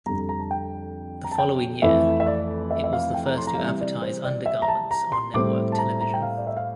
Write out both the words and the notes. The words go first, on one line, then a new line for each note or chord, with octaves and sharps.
The following year, it was the first to advertise under-garments on network television.
F2 D3 G3 A#5
A#5
A5
G5
A#5
A5
G5
F2 E3 A3 E4 E5
E5
D5
E5
E5
F5
G5
A#5
C6
A#5
F5
C3 E3 G3 E5
D5
C5
D5
E5
A#5
A5
A#5
C6
A2 G3 C4 D6
A5
A#5
A#5
G5
F5
D5
E5
F5